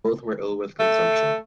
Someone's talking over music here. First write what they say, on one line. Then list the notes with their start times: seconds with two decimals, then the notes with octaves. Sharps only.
Both were ill with consumption.
0.79 A3